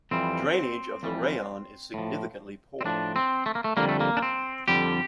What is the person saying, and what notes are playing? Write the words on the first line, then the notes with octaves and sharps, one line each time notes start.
Drainage of the rayon is significantly poor.
F2 E3 G3 C4
F2 E3 G3
A2 F3
C4
A2 F3 D4
C4
A3
A#3
A3
F2 D3 G3 A#3
A3
A#3
D4
C4
F2 D3 G3 G4